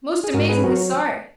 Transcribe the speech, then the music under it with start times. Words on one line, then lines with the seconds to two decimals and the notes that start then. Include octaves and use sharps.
Most amazingly sorry!
0.23 G#4
0.34 G#2 F#4 A#4
0.49 G#4 B4
0.64 F#3 F#4 A#4